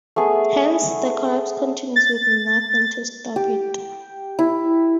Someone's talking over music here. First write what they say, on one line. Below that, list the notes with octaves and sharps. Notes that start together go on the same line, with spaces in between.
Hence, the collapse continues with nothing to stop it.
A3 B3 G#4
A6
G4
E4